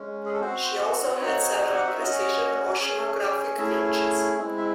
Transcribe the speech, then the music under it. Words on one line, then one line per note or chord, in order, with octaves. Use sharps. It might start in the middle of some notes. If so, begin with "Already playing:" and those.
She also had several precision oceanographic winches.
Already playing: G#3 C#4
G#4
A4
C4 F#4 C5
C4 D#4 F#4 C#5
F#5
E5
C#4 F#4 D#5
C#4 G#4
A3 C#4 E4 G#4 E5
G#3 C4 E4
E5